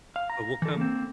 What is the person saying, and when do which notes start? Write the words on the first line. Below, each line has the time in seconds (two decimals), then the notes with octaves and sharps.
and we'll come
0.16 F5
0.30 A#5
0.62 E3 A4
0.77 A#3 C4